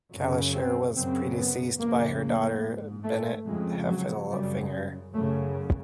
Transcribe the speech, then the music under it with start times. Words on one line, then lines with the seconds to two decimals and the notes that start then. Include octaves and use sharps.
Calisher was predeceased by her daughter, Bennet Heffelfinger.
0.12 F#2 C#3
0.54 C4
0.95 F#2 C#3 C4
1.37 B3
1.79 F2 C#3 A#3
2.21 A#3
2.62 G#2
3.04 A3
3.47 F2 C#3 G#3
3.89 F#3
4.31 F#2 C#3 G3
5.14 F#2 C#3 A3